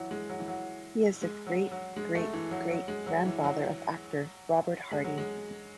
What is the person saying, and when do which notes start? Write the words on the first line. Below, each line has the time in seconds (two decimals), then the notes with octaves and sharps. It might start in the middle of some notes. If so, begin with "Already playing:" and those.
He is the great-great-great grandfather of actor Robert Hardy.
Already playing: E3 F#3
0.11 G#3
0.30 F#3
0.39 E3
0.48 F#3
1.22 G#3
1.47 F#3
1.71 F#3
1.96 G#3
2.15 A3
2.34 E3
2.51 F#3
2.71 F#3
2.88 G#3
3.07 F#3
3.26 E3
3.44 F#3
4.91 G#3
5.04 F#3
5.18 G#3